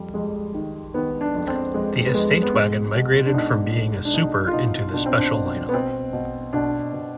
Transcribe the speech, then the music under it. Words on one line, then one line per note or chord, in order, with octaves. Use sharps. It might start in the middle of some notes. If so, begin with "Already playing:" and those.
The Estate Wagon migrated from being a Super into the Special lineup.
Already playing: F2 G3
F2 G#3
D#3
D#3 B3
D4
F2
C4
F2 G#3
B3
F2 G#3
B3
B2 G#3
B2
D4
B2 D#4
B2
D4
B2 D#4
F4
B2 D#4
B2 D4
C4
D4
B2
B3
B2 C4
B2
B2 D4
B2